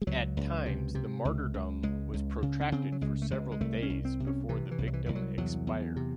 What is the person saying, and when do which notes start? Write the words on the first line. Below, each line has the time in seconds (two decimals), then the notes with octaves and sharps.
At times the martyrdom was protracted for several days before the victim expired.
0.02 G#3
0.07 C#2 F#3
0.37 C#2
0.66 C3
0.95 C3
1.25 C#2
1.54 C#2
1.83 C#2 G#3
2.14 C#2
2.42 C#3
2.60 C#4
2.72 C#3 C4
2.92 F#3
3.01 C#2 G#3
3.22 A3
3.31 C#2 G#3
3.52 G#3
3.61 C2 A3
3.83 C#4
3.90 C2
4.05 C4
4.20 C3
4.27 C#4
4.49 C3 E3
4.71 E3
4.78 C2
4.87 F#3
4.93 E3
5.06 C2 E3
5.15 F#3
5.38 E2 F#3
5.67 E2
5.96 C3